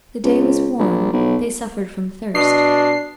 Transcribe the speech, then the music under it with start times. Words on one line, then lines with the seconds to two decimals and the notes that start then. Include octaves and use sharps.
The day was warm; they suffered from thirst.
0.24 C#2
0.79 A#1
1.13 B1
2.35 B2 D4 C7